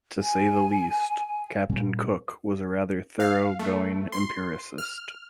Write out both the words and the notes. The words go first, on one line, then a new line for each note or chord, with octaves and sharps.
To say the least, Captain Cook was a rather thorough going empiricist.
G#5
A#2 G3 C#4
F5
A3
C6
F6